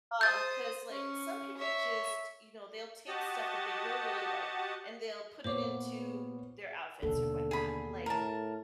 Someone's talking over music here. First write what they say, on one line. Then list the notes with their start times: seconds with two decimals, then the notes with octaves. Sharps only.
Um, 'cause, like, some people just, you know, they'll take stuff that they really, really like, and they'll put it into their outfits or whatnot. Like,
0.21 C5 D#6 G6 A6
0.89 C#4
1.57 C#5 E5
3.08 F#4 G4 D#5 F#5 A5
5.44 A#2 B3 C5 C#5 D6
7.03 D#2 B2 D3 A4
7.51 G#4 B5
8.06 A2 A#4 A5